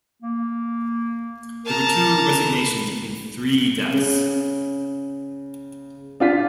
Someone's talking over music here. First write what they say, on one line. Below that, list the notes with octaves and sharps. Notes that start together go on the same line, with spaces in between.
There were two resignations and three deaths.
A#3
A#4 A5 A#5
B5
C#3
D4 F4 B6